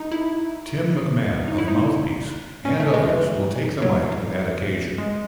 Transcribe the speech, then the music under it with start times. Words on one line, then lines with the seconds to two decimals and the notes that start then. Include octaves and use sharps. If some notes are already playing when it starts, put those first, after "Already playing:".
Tim McMahon of Mouthpiece and others will take the mic in that occasion.
Already playing: D#4
0.12 E4
1.48 D#4
1.58 E4
1.68 D#4
2.65 C#4
2.80 A3
2.94 G#3
3.09 E3
3.82 F#3
4.98 G#3